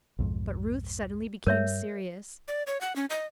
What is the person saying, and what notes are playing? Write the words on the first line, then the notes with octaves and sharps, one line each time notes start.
But Ruth suddenly became serious.
B1 F2 G#2
G2 G3 A#4 C#5 E5
D5
C#5
F#5
C#4
D#5